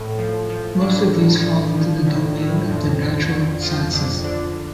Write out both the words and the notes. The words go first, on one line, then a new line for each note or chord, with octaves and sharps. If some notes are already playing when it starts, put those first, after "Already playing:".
Most of these fall into the domain of the natural sciences.
Already playing: A2 A3
F3
F3
A2 D4
A2
F3
F3
A2
A2
F2
D3
F2
F3 F4
F2 D4
D3 D4